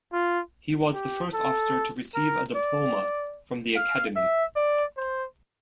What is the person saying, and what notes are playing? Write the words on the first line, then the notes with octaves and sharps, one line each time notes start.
He was the first officer to receive a diploma from the Academy.
F4
G4
A4
A#4
D5
F5
E5
D5
C5